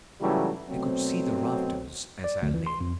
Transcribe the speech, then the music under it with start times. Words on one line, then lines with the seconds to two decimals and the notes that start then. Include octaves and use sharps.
I could see the rafters as I lay.
0.21 G#2 C#3 E3 F#3 G3 A3
0.69 B2 F#3 A3 C4
2.24 D5
2.42 D2
2.54 E3
2.67 C6
2.81 F2